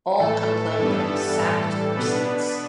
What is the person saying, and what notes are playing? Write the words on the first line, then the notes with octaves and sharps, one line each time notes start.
All complained that he sacked the receipts.
A2 E3 A3 A4
G2 E3 G3 B3 A4
A2 E3 G3
B2 B3 D4 B4